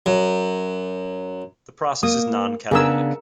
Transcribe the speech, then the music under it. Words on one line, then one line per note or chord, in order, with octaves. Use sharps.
The process is non-catalytic.
F#2
A#3 D#6
C#3 B3 D4 G#4 A#4 E6